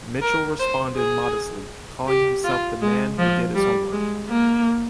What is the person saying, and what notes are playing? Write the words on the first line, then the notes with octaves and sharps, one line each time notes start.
Mitchell responded modestly, calling himself the man who did his homework.
A#4
C5
G#4
G4
F4
G#3
F3
G3
G#3
A#3